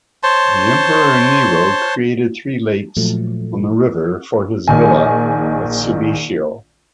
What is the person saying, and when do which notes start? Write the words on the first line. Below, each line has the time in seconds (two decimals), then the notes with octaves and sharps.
The emperor Nero created three lakes on the river for his villa at Subiaco.
0.23 C5 C#5 A5 C6
2.97 A#2 F3 F#3 A3
4.68 A#1 D#3 G#5